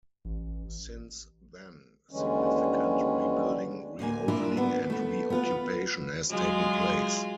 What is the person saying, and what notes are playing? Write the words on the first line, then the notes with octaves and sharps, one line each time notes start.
Since then, significant rebuilding, reopening, and reoccupation has taken place.
A1
D#2 D3 E3 G3 G#3 C#4
D2 A2 A#3 G#5
A#3 D4 E4 F4 A#4
B3
A3 B3
B3 F4 B4
F#3 G#3 F4